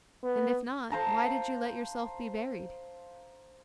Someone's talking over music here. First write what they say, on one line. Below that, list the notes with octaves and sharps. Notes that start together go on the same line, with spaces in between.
'And if not, why did you let yourself be buried?'
B3
C5 F5 A5 A#5